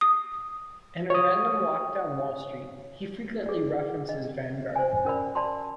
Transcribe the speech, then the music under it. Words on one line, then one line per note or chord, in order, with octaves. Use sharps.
In A Random Walk Down Wall Street, he frequently references Vanguard.
D#6
C#5 D#6
G#4 D5
D#5
C5 G#5
C#4 A#4 D5 B5
D5 A5 B5 C6